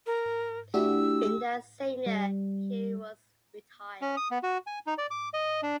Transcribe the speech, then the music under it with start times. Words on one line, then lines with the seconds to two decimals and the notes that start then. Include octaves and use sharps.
In that same year he was retired.
0.06 A#4
0.74 A3 D4 E4 F#4 G4 E6
2.06 G3
4.01 C#4
4.17 D#6
4.31 B3
4.43 F#4
4.67 G#5
4.87 D#4
4.98 D5
5.11 D6
5.33 D#5
5.63 D4